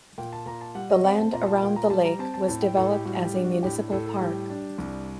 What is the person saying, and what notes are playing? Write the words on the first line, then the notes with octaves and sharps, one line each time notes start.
The land around the lake was developed as a municipal park.
A#2 G5
A5
A#2 A#5
A5
G3 F#5
D#5
C4 F#5
A5
A#2 A#5
A5
A#2 G5
A#5
G3 A5
A#5
C4 A5
A5
A2 A5
G5
A2 A4
G4
G3 F#4
G4
D4
F#4
A2 G4
A2 A4
A4
G3 G4
D4
C2